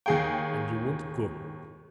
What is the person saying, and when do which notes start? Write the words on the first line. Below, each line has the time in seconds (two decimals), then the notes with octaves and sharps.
And you won't go?
0.06 D#2 G#4 G5